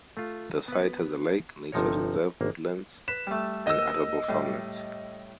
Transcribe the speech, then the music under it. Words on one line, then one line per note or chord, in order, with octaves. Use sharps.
The site has a lake, nature reserve, woodlands and arable farmlands.
A3 F4
B3 B4
G1 C3 F3 D#4 A#4 C#5
G#1 A#3
B4 E7
G3 A3
D#2 D#5 E6
A2 G3